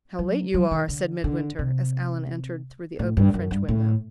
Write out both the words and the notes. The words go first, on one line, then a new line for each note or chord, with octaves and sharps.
"How late you are!" said Midwinter, as Allan entered through the open French window.
F#3
F#3
D#3
D3
D3
C3
A2
G2
F#2
G2
A2